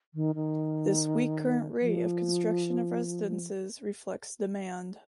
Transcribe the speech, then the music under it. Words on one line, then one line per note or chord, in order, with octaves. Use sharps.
This weak current rate of construction of residences reflects demand.
D#3
D#3
F3